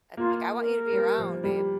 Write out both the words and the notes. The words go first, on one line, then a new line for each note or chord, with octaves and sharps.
Uh like, "I want you to be around, babe."
A#3 F4
A#4
G3
F3
G3